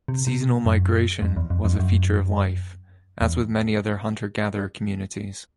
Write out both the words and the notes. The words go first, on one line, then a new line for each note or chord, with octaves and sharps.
Seasonal migration was a feature of life, as with many other hunter-gatherer communities.
C3
C3
B2
F#2
F2
E2
F2
F2
F#2
E2